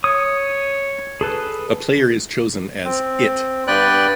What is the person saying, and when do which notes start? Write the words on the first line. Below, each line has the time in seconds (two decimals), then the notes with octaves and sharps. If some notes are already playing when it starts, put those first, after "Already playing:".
A player is chosen as 'It.
0.04 C#5 D#6
1.21 G#4 A4 B4
2.85 C4
3.67 G2 B3 B4 D5 G5 F#6